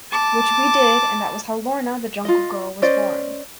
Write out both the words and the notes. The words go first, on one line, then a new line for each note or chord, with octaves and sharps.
Which we did, and that was how Lorna, the Jungle Girl was born.
A5 D6
F4 D#5
C#4 C5 D5 D#5